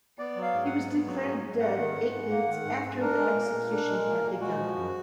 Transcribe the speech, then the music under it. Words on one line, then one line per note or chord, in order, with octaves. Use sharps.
He was declared dead eight minutes after the execution had begun.
B3 D5
F#3
F5
G#2
F#5
G#2
B3
F#3
G#2
G#2
A#3 F#5
D#3
G#2
G#2
A#3
D#3
G#2
G#2
D4 A#4
G#3
A#2
A#2
D4
G#3
A#2
A#2
G#3 F#4
F3
F#2